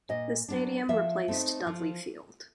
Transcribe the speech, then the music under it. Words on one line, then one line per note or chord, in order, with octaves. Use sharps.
The stadium replaced Dudley Field.
A#2 D#5
F#3 B3 D4
F3 E5
A3 C4 D#4
F3